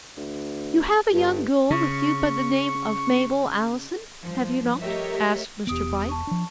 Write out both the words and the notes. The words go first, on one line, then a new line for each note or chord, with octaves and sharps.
"You have a young girl with you by the name of Mabel Allison, have you not?" asked Mr. Bright.
D2
G1 G2
C#3 C#6
G2 F3
A3 G4 A#4 C#5 D#5 E5
E1 B3 G4 D#6 D7
A5 C#6
F3 D4